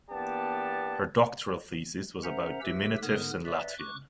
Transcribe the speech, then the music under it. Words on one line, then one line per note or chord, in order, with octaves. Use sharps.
Her doctoral thesis was about diminutives in Latvian.
E2 A#3 B3 D4 G4 A5
C#4 A#4 C5 E5 F#5 A#5
G4 B4 E5 E6
G#2 D3 B3 A#4 D#6 F6
B4 D5 E5
C#6 D6 F#6